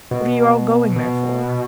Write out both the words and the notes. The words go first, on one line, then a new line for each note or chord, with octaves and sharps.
"What are you all going there for?"
B2
B2